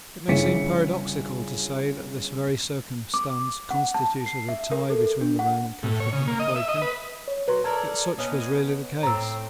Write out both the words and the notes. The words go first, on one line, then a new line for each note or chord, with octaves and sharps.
It may seem paradoxical to say that this very circumstance constituted a tie between the Roman Catholic and the Quaker; yet such was really the case.
G1 C#3 E4 C#5 B6 C#7
D6
F#5
A5
C7
E5
A#4
A4
D4
F#5
A2
C#5
C#3
A#3
D#5
E5
D#5
B4
C#5
F#3 B4 C6
A4 A#4 D5 A5 G#6
B3 C#4 D#5
A2 C4 A#5 E6